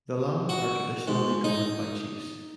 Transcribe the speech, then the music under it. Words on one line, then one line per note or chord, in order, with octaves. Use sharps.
The Lala are traditionally governed by chiefs.
F#4
G#2
D#4